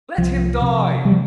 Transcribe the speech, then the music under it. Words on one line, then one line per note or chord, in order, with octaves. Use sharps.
'Let him die!
C2 F3
C3 F3
C3 G3
F3